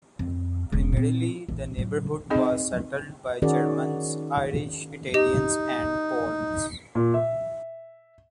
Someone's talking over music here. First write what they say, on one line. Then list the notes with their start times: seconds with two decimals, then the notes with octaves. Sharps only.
Primarily, the neighborhood was settled by Germans, Irish, Italians and Poles.
0.19 F2
0.72 E1 D3
0.93 A#2 C4
1.49 A#1 E2
1.77 A2 F#3
2.30 C4 D#4 G#4 D#5
3.42 D#3 C#4 F#4 G#4 A#4 D5
5.14 D#4 G4 D#5
6.95 A#2
7.14 E5